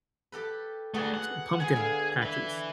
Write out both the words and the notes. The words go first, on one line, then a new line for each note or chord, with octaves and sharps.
s pumpkin patches.
G4 A4 B4
A3 B3 F#4 G#4 D5
F#5
B3 G#4 G#5
D3 F5
B4 E5